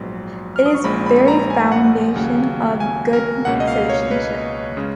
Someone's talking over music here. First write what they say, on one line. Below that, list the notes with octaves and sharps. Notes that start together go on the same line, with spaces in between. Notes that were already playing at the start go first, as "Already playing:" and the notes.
It is the very foundation of good citizenship.
Already playing: A#1 G#2 F#3 B3
F6
D#6
C#6
A#1 A#2 G#3 C#4 B5
B5
B5
A#5
A#5
G#5
F#5
D#2 C#3 F#3
G#5
A#4
C#2 B2 A#3 C#4 F#5
D#5
F5
C#5
B4
C#3 G#3 C#4